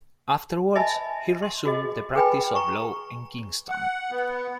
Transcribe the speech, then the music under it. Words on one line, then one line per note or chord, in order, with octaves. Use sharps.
Afterwards he resumed the practice of law in Kingston.
D#5 E5 G#5 A5 B5
C6
F#4 G#4 D#5
G#4 B4 G5 G#5 B5
A#5 C#6
F#5
B3